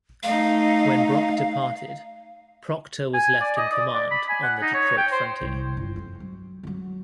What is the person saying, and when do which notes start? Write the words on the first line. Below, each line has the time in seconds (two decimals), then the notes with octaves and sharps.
When Brock departed, Procter was left in command on the Detroit frontier.
0.23 A3 D#4 F5
3.14 G#5
3.41 D5
3.58 D#5
3.72 D5
3.95 D5
4.11 B5
4.29 G#5
4.43 F#5
4.62 D#4
4.74 C#5
4.98 G5
5.12 C5
5.41 C2
5.77 G1
5.96 F2
6.20 F#3
6.63 F3 F#3